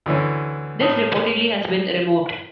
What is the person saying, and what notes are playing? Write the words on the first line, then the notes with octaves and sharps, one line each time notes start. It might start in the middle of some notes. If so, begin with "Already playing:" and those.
This reportedly has been removed.
D2 E3 C#4
A2 C#4 D#6